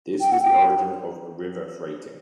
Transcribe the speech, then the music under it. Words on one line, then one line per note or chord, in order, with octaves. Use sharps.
This was the origin of river freighting.
G5
F#5
G5